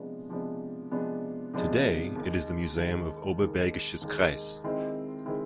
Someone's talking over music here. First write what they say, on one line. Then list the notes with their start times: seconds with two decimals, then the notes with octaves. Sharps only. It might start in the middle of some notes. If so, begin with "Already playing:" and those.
Today it is the Museum of Oberbergisches Kreis.
Already playing: C3 F3 G#3 B3 D4
0.29 C3 F3 G#3 B3 D4
0.91 C3 F3 G#3 B3 D4
1.54 C3 F3 G#3 B3 D4
2.16 D#2 D#3 G#3
2.77 D#2 D#3 G#3
3.39 D#2 D#3 G#3
4.01 D#2 D#3 G#3
4.64 D#3 G#3 C4 E4
5.26 D#3 G#3 C4 E4